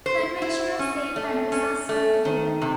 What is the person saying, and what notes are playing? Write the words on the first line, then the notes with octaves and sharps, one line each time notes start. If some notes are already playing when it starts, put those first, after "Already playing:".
Conventional sail panels are sewn together.
C5
E4
C#4
A3
C#4
A3
D#3
C3